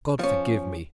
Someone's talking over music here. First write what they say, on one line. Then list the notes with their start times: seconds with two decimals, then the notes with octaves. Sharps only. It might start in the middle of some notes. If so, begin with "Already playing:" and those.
God forgive me!
0.19 F3 C#4